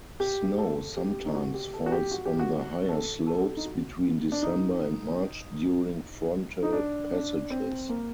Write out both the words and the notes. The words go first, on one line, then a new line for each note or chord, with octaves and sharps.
Snow sometimes falls on the higher slopes between December and March during frontal passages.
G4
A4
G4
D#4
F#4
G4
A4
F#4
G4
F#4
G4
F#4
A4
A4
D#4
F#4
D4
D#4
D#4
D4
D4
C4
A#3